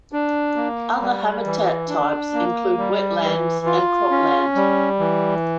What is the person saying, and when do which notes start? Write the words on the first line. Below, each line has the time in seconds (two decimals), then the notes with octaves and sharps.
Other habitat types include wetlands and cropland.
0.12 D4
0.56 A#3
1.01 G3
1.45 E3
1.89 D4
2.34 A#3
2.78 G3
3.22 E3
3.66 F4
4.10 C#4
4.56 G3
4.99 E3